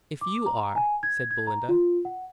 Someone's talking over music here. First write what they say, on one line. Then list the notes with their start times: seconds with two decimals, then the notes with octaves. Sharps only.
"If YOU are," said Belinda.
0.21 D6
0.46 A#5
0.76 G#5
1.03 G#6
1.31 G#6
1.47 A#5
1.69 F4
2.05 F#5